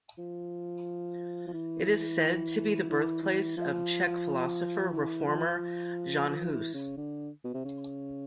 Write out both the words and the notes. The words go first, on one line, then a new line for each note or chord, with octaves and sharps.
It is said to be the birthplace of Czech philosopher, reformer Jan Hus.
F3
F3
E3
E3
E3
F3
E3
F3
F3
F3
E3
C#3
D3
B2
C3
C#3